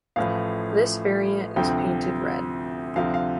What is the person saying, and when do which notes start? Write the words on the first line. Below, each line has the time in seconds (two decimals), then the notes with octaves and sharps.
This variant is painted red.
0.16 A1 A2 F3 F5
1.56 D2 C3 F3 G5
2.96 D2 C3 F3 F5
3.14 F5